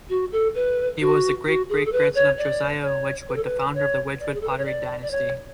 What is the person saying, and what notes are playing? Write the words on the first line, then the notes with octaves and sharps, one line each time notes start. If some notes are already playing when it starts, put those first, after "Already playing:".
He was the great-great-grandson of Josiah Wedgwood, the founder of the Wedgwood pottery dynasty.
F#4
A4
B4
F#4
F#4
G#4
A4
B4
C#5
D5
C#5
B4
A4
B4
C#5
D5
G#4
A4
B4
C#5
D5
D5
C#5